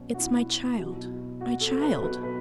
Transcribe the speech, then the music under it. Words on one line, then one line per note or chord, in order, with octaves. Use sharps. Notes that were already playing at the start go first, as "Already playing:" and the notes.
"It's my child, my child!"
Already playing: B2 F#3 C#4
F#4
E4
B2 F#3
F#4
A4
B4
B2 F#3 B4
B4